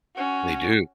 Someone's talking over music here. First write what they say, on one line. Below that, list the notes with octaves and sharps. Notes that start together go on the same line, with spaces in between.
They do.
C#4 F#4